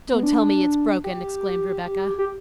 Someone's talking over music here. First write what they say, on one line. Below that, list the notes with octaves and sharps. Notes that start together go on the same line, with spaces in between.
"Don't tell me it's broken," exclaimed Rebecca.
B3
D4
G4
G4